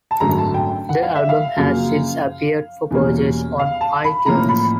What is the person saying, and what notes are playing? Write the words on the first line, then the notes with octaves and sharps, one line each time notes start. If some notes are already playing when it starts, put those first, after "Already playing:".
The album has since appeared for purchase on iTunes.
A5
G#1 F#2 D3 F#3 A3 A#5
A5
G5
F#5
F5
E5
F5
F#2 C#3 F3 A#3
E2 B2 G3 A#3 C#4
F5
A5
B5
A1 A2 F3 A#3 C#4 A#5
B5